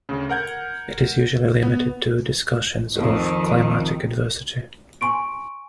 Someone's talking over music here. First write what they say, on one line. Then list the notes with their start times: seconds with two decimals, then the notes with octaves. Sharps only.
It is usually limited to discussions of climatic adversity.
0.09 D2 C#3
0.29 A#4 F#5 G6 G#6
1.63 B3
2.95 F2 D#3
5.01 G#5 C6 C#6 D7